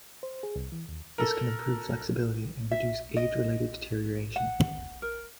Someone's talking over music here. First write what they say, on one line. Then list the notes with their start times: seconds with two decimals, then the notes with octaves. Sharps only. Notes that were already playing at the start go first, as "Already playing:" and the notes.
This can improve flexibility and reduce age-related deterioration.
0.23 C5
0.43 G#4
0.56 C2
0.72 E3
0.89 D#2
1.18 A4 A#4
2.71 E5
3.16 D#5
4.36 F#5
5.02 A#4